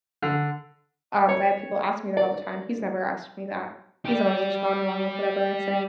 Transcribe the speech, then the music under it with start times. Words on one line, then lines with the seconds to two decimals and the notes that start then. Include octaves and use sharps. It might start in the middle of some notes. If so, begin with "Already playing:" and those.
Um, but I have people ask me that all the time, he's never asked me that; he's always just gone along with whatever I say
0.22 D3
1.29 C#5
2.17 D5
4.05 G4 D5